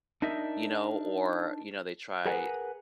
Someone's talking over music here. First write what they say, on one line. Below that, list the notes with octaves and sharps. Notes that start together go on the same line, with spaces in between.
you know or, you know, they try,
D4 D#4 A#4 D#5 E5
G#4 A#4 B4 F#5 G#5